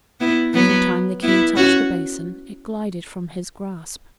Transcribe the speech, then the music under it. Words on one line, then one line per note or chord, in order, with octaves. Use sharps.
Every time the King touched the basin it glided from his grasp.
B3 E4
F#3 B3
B3 E4
C#4 F#4